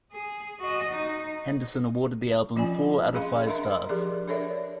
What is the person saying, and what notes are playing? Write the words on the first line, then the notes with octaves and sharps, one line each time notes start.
Henderson awarded the album four out of five stars.
G#4
F#4 D#5
D#4
F3 C#4 F4 D5 G#5
C#4 G#4 D#5 F5 C6
D4 A#4 D#5 E5 A#5 C6
F3 G4 G#4 A#4 D5
D4 A4 A#4 C#5 D5 E5